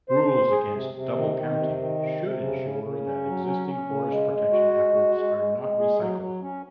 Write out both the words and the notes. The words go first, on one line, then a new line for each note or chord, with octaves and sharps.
Rules against 'double counting' should ensure that existing forest protection efforts are not recycled.
C5
C5
G#4
C3
C3
D#3
D#3
C3
D#3
C3
C3
C#3
C#3
C#3
C#4
F#3
C#4
C#4
C#3
G#3
G#3
F#4
G#3
F#4
G#3
G#3
G#3
G#4
F#3
F#3
C#4